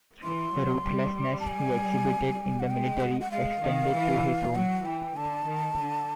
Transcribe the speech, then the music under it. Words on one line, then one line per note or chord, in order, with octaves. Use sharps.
The ruthlessness he exhibited in the military extended to his home.
E3 C6
F#3
G3
G3
A5
G#5
F#5
G#3 G5
F#5
F#5
G#3 F5
D#3
E3
F#3 F#5
E3 G5
D3 A5
D#3
D3